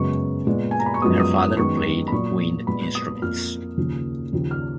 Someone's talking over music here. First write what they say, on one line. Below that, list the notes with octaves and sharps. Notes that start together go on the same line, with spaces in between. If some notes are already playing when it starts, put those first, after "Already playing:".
Her father played wind instruments.
Already playing: F#2 C#3 G#3 B3 C#6
A#2 G#3 B3
G#5
A#5
B5
C#6
F#2 F3 G#3 B3 D#6
D#6
D#6
F#2 D#3 G#3 B3 C#6
B5
A#2 F#3 A#3 C#6
A#2 G#3 B3 B5
D#6
F2 F3 A#3 F6
D#2 C#3 F3 A#3
D#2 C#3 F3
F6